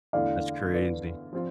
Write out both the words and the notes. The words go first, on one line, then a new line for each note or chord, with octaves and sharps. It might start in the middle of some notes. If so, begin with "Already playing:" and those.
That's crazy.
E2 D3 A3 E4 D5 F5
B4 D5
F3 C4 F4